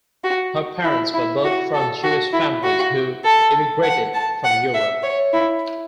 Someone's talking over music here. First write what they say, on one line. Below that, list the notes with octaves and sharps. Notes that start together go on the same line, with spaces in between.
Her parents were both from Jewish families who emigrated from Europe.
F#4
E4
E4
F#4
A4
F#4
E4
F#4
A4
F#5
A5
F#5
E5
C#5
E4